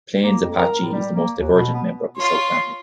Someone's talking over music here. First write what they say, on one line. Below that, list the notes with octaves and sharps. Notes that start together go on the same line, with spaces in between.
Plains Apache is the most divergent member of the subfamily.
A#3
F2
A#4
A2
G3
A#3
D#2
B2
B3
F4 C#5 C6